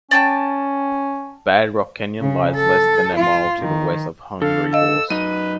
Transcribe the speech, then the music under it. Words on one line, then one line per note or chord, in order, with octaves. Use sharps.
Bad Rock Canyon lies less than a mile to the west of Hungry Horse.
C#4 D5 G5 A5
C#3
A4
F4
D#3
D3 A4 F5
D#5 F5 E6
F#2 D#4 B4 D#7